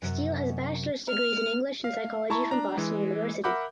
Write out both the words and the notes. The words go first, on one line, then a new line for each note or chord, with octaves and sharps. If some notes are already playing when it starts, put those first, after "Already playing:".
Steele has bachelor’s degrees in English and psychology from Boston University.
F#2 C3 F#3
F6
F5
E4 A5 A#5 C#6
D4 A#5
E3 G#3
A#4 E5 F#5 B5 D6 G6